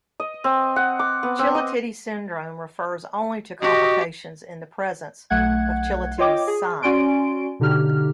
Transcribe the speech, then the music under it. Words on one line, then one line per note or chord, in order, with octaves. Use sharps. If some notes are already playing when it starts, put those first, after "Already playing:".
Chilaiditi syndrome refers only to complications in the presence of Chilaiditi's sign.
D#5
C4
F#5
D6
B3
C4
D#5
F#4 G4 D#5
B1 A3 F#5 F#6 G#6
F4 C#5 D#5 G5 D6
G#4
C#4 F#4 D5 G#5 C6 D7
B2 D3 D#4 G4 F6